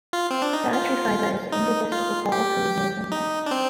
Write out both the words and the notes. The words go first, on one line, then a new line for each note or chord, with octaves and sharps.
Dietary fiber is the indigestible part of food made from plants.
F4
C4
D4
D#4
F4
D#4
F4
G4
D#4
D4
C4